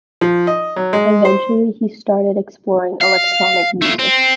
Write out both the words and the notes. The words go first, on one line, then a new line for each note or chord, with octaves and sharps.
Eventually he started exploring electronic music.
F3
D#5
F#3
G#3
C5
F5
A3 F4
C4